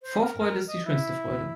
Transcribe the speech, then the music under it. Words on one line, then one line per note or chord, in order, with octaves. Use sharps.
Vorfreude ist die schönste Freude.
C5
A#4
A#4
D#5
E4